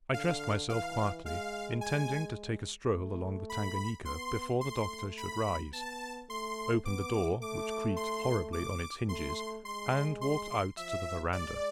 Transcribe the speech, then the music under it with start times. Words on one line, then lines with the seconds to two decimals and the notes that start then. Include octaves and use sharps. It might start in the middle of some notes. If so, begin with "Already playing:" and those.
I dressed myself quietly, intending to take a stroll along the Tanganika before the Doctor should rise; opened the door, which creaked horribly on its hinges, and walked out to the veranda.
0.14 D3 F5
0.69 E3 F5
1.25 G#3 F5
1.81 G#5
2.94 A3
3.50 B5
4.05 B3 C6
4.61 A3 C6
5.17 B5
5.73 B3 A5
6.29 A3 C6
6.85 B3 D6
7.41 A3 D6
7.97 C6
8.53 D6
9.08 A3 C6
9.65 G#3 C6
10.21 C6
10.77 F3 E5
11.33 G#3 D5